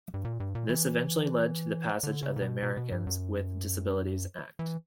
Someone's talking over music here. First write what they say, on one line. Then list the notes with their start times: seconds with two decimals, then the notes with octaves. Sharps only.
This eventually led to the passage of the Americans with Disabilities Act.
0.14 G2
0.25 A#2
0.40 G2
0.55 A#2
0.70 E3
2.03 D3
2.23 C#3
2.36 A#2
2.42 B2
2.63 B2
2.77 B2
2.92 G2
3.07 F#2
4.59 E3